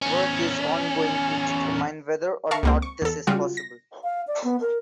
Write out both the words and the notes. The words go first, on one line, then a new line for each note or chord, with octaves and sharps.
Work is ongoing to determine whether or not this is possible.
E2 C#4
A#4 E5 F5 A5 C#6
C#2 A#3 C4
C#6
E2 A4
C#3 G3 F4 F#4
A#6
F5
D5
B3
A#4